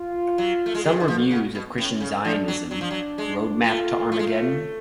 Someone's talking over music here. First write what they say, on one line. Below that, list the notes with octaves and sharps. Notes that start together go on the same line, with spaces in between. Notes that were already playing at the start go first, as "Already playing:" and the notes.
Some reviews of Christian Zionism - Road Map to Armageddon?
Already playing: F4
F#3
A3
G#3
F#3 G#4
C#3
D3
F3
F#4
C#3
B2
A2 C#4
C#3
F3 D4
F#3
F#3 D4
F3
F#3
G#3
A3 F4
A3
G#3
A3